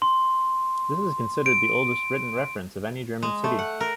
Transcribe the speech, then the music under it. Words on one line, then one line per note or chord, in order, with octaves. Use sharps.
This is considered the oldest written reference of any German city.
C6
D7
G#3
A3
F#5
A#4